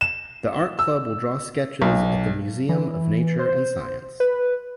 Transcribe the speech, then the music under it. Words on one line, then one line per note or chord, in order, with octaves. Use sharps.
The art club will draw sketches at the Museum of Nature and Science.
E7
E6
B1
E3
C5
B4